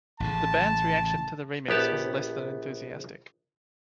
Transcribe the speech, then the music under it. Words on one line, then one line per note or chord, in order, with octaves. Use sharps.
The band's reaction to the remix was less than enthusiastic.
A1 A2 C#3 A5
A#1 B3 G4 A5